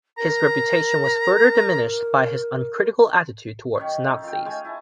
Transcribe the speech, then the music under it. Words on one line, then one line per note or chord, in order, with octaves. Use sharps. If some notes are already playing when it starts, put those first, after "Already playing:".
His reputation was further diminished by his uncritical attitude toward the Nazis.
A#4 A#5
F#2 D#3 C#4 C#5
D#4 A4 F5
F4 G5
G#3 C5 C#5 G#5
E4 G#5 A5